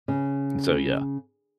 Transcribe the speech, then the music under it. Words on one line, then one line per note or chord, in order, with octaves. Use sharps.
so, yeah,
C#3